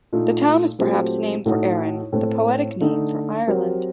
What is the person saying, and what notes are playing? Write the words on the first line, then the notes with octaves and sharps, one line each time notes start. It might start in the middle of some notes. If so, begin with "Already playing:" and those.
The town was perhaps named for Erin, the poetic name for Ireland.
A#2 A3 D#4
A#2 F#3 A3 C4 G4
A2 A3 D#4 F#4
A2 A3 C4
D3 A3 D#4
F#3 C4 G4 A#4